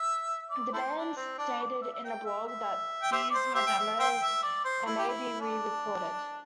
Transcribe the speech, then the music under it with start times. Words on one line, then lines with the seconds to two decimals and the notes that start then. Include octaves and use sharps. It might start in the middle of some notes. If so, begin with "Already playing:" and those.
The band stated in a blog that these were demos and may be re-recorded.
Already playing: E5
0.51 D5
0.73 E4 A4 C5
0.94 D4
1.16 C4
1.38 D4
1.59 D5
1.82 E5
1.93 E5
2.04 G5
2.25 E5
2.47 E5
3.02 G5
3.12 G4 C5 E5
3.30 D5
3.34 C5
3.55 G4 C5 E5
3.67 G5
3.77 E5
3.99 C5 E5 G5
4.21 E5
4.43 D5
4.65 C5
4.86 E4
4.98 G4
5.08 E4
5.40 D4